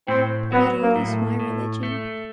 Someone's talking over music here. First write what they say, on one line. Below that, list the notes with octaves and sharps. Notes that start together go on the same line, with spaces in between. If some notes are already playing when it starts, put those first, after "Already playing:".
Metal is my religion.
A2 C4
F#3 B3
A#3
A2
A3
A2
A3